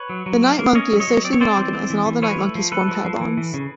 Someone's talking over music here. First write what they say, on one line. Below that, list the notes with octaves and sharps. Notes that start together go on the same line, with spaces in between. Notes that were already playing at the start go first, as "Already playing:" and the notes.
The night monkey is socially monogamous, and all night monkeys form pair bonds.
Already playing: B4 C#5
F#3
F#3
A#3
A#3
C#4 C#5 D#5
F#3
C#5 D#5
F#3
C4 D5
C#5
C4 C5 D5
E3
C4
E3
E3
F3 B4 C#5
A3
F3
A3 A4 B4
F3
F3
E3
E3
C#3